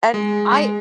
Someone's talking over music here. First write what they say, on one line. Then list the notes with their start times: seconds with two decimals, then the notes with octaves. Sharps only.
And I
0.14 G#3
0.53 G#3